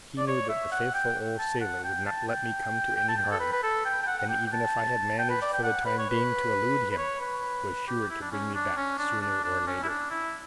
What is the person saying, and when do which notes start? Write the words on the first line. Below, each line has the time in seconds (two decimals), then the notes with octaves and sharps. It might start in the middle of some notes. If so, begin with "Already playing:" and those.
He knew that the faithful old sailor would not let me come to any harm, and even if I had managed for the time being to elude him, was sure to bring me back sooner or later.
0.18 D5
0.27 C#5
0.49 E5
0.72 F#5
0.94 G5
1.39 A5
1.61 F#5
1.84 G5
2.06 A5
2.28 G5
2.96 G5
3.08 A5
3.17 G5
3.31 A4
3.40 B4
3.52 B4
3.63 A4
3.85 G5
4.02 G5
4.07 F#5
4.19 F#5
4.29 G5
4.46 G5
4.52 A5
5.19 G5
5.29 B4
5.41 D5
5.53 G5
5.63 F#5
5.85 B4
5.98 C#5
6.10 B4
6.91 B4
6.98 C#5
7.21 B4
7.87 G4
8.09 E4
8.21 D4
8.31 C#4
8.54 D4
8.77 C#4
8.98 D4
9.21 D4
9.44 D4
9.67 C#4
9.83 E4
9.89 D4
10.10 E4